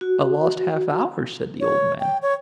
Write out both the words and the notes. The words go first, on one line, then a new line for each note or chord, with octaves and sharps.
"A lost half-hour?" said the old man.
F#4
C#5
G5
C#5